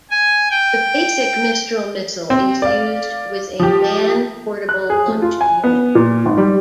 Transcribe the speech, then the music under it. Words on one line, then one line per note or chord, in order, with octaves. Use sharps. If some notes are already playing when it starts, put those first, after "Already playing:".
The basic Mistral missile is used with a man-portable launch unit.
G#5
G5
C4
D5 F5
F3 G4
F#6
G#4
A3
F4
G#5
B3
A#2
G#1
G3